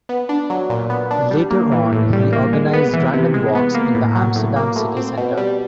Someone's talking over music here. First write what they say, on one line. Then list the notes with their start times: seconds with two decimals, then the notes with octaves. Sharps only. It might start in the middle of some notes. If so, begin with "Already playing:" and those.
Later on, he organized random walks in the Amsterdam City Centre.
0.09 B3
0.29 D4
0.50 F#3
0.70 A#2
0.90 B3
1.11 D4
1.31 G3
1.51 A#3
1.72 E3
1.92 A2
2.13 G3
2.33 A#3
2.53 G#3
2.73 B3
2.93 E3
3.13 C3
3.34 G#3
3.55 B3
3.75 A#3
3.95 A2
4.15 F#3
4.36 A2
4.56 A#3
4.76 A2
4.97 C4
5.17 B2
5.37 G3